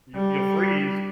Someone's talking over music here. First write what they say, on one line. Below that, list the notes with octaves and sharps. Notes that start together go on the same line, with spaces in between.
you’ll you'll freeze.
G3